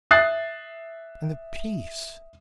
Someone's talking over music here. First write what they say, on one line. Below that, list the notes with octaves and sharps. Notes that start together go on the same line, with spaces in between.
And the peace!
E5 D#6 F#6 A6 C7